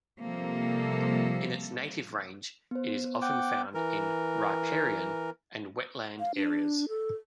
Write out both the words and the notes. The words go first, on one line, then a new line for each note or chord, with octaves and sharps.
In its native range, it is often found in riparian and wetland areas.
C3 F3 G3 A#3 A4
B3 C5
F#5 G5 D6
E3 A#4
F5
D4
A4